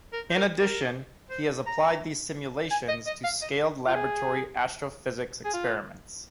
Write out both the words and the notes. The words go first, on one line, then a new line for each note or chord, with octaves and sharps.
In addition, he has applied these simulations to scaled laboratory astrophysics experiments.
A#4
C5
A#4
A#4
C5
A#5
G#5
D#5
D#5
F5
D#5
F4
G#4
G#4
F4